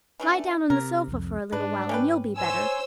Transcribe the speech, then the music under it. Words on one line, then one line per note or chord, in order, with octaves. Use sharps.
Lie down on the sofa for a little while and you'll be better.
E3 A3 D4
C3 A#4
C2 F2
G#2 D4 B4
C#4 G4 B4
C5 C#5 G#5 E6